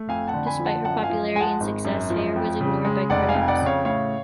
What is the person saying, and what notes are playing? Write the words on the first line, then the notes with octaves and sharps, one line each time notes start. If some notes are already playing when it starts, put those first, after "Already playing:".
Despite her popularity and success, Heyer was ignored by critics.
Already playing: A3
F2 F5 G#5
F#5 A5
D3
G#5 B5
F3
F#5 A5
F#2 F#5 A5
F5 G#5
F3
G#3 G#5
F#5 A5
G#1
F#2
F3
F2
C#3
G#3
F1 D5 F#5
F5 G#5
F2
D5 F#5
C#3
C#5 F5
A2 C#5 F5